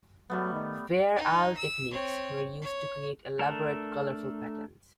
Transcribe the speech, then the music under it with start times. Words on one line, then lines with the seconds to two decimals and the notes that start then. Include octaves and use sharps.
Fair Isle techniques were used to create elaborate colorful patterns.
0.30 F#3 G3 A3 B3
0.54 D#3
1.16 D#4
1.57 E6
1.91 C4 C#5
2.62 C#5
3.39 A3 D4 A4 A#4